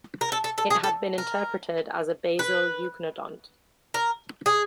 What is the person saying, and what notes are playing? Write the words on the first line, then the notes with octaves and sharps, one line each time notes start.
It has been interpreted as a basal eucynodont.
A#4
A4
A4
A4
G#4
A4
A#4
B4
A#4
G#4